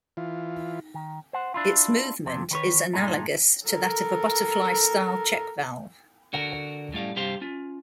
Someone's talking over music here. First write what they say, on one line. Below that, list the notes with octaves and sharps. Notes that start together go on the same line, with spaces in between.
Its movement is analogous to that of a butterfly-style check valve.
E3 F4
D#3
C5 F#5
D4 E4 F4
F2 C3
D#3 B4 C#5
G2 A#2 G#3 A3 D#4
A4 A#4
D3 F#4 A#4
F#2 A2 G3 F5
G2 C3 G4 C5 F5 C6
C#4 F4